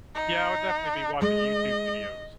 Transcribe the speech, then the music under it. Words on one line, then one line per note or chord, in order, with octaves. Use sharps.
Yeah, I would definitely be watching YouTube videos.
D#4
G#3 D#5